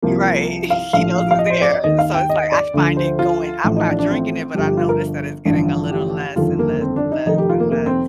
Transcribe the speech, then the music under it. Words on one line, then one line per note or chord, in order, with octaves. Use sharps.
Right. He knows it's there. So it's like, I find it going I'm not drinking it, but I noticed that it's getting a little less and less, less and less.
C2 C3 F3 A#3
F5
A#1 A2 F3 F5
F5
D#5
C5
D5
D#5
D#2 D#3 D#5
F5
G5
D#5
D5
D2 D3 F3
C5
F4
A1 A2 F3
D#4
D4
D4
C4
G1 G2 F3 G4
G4
F4
A#4
A1 G2 D3 F3
G4
G1 F2 D#3 F4
A#3
C4
D4
D#4
F1 F2 D#3 D#4
G4
F4
A#3
A#3
C4